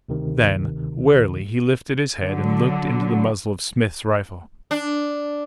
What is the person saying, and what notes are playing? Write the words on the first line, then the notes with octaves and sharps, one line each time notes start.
Then, warily, he lifted his head and looked into the muzzle of Smith's rifle.
D2 C3 D#3
D3 F#3
D4